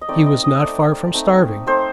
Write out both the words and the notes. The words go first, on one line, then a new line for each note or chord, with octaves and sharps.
He was not far from starving.
D#5
A3 C4 D#4 D5
D#5
D#5
A3 C4 D#4 D5
A3 C4 D#4
A3 C4 D#4 C5